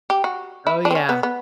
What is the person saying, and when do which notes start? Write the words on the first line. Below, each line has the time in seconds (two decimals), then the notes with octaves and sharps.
Oh, yeah.
0.10 G4
0.24 F#4
0.67 E4
0.85 D4
0.91 C4
0.95 C#4
1.09 B3
1.23 B3